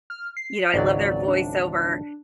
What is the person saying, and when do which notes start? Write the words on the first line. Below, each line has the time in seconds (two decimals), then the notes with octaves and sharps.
you know, "I love their voiceover,"
0.10 F6
0.37 C7
0.74 G#1 C#2 F#3 D5
1.28 D4